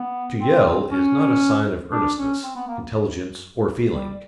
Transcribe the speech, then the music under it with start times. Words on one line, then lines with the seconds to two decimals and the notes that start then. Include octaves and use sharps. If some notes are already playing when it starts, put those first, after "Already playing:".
To yell is not a sign of earnestness, intelligence, or feeling.
Already playing: B3
0.41 C4
0.91 C#4
1.92 D4
2.17 C#4
2.43 C4
2.56 B3
2.68 A#3
3.93 G3